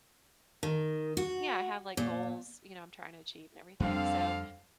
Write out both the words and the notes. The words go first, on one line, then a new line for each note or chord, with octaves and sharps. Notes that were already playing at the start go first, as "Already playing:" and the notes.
Yeah, I have, like, goals, you know, I'm tryna achieve and everything. So
D#3
F#4
A#2
F2 D3 G3 C4 D4 F5